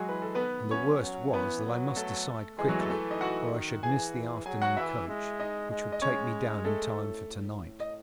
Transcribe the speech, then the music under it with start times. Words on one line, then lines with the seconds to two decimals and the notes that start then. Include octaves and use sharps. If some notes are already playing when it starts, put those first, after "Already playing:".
And the worst was, that I must decide quickly, or I should miss the afternoon coach, which would take me down in time for to-night.
Already playing: F#3 G#3 F#4 G#4
0.09 E3 B4
0.22 A4
0.35 D#3 B3 B4
0.71 F#3 C#4 C#5
1.02 F#3
1.33 E3 B3 B4
1.65 F#3
1.96 A3 A4
2.59 E3 G#3 G#4
2.69 F#3 F#4
2.79 A3 A4
2.90 A3 A4
3.10 D#4 D#5
3.21 F#4 F#5
3.52 D#3
3.83 E3 G#4 G#5
4.45 F#3 G#4 G#5
4.62 F#4 F#5
4.77 E3 E4 E5
5.08 G#3
5.40 D#4 D#5
5.71 G#3
5.92 D#5
6.02 G#3 C#4 C#5
6.65 A3 A4
6.96 A2
7.27 A2
7.80 D#5